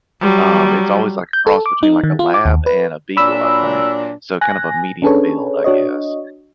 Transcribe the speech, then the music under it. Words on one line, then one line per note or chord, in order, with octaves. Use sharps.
Um, it's always like a cross between, like, a lab and a beagle, I think. So kind of a medium build, I guess.
F#3 G3
G6
A4
D6
D#4
D#3
F4
D6
D#2
B4
A#2 F#3 D4 B5 E6
G#5 F#6 A#6
C#4 D4 G#4 A4 B4 C#5
D4 F#4 C#5 D#5